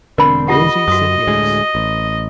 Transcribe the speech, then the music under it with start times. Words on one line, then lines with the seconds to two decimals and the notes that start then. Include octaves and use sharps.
Rosie said yes.
0.18 E1 D3 C4 D4 A#4 B5
0.48 F4 G4 D#5 F#5
0.88 F#2 F#4 D#6
1.27 D2 A2 G#3
1.75 A1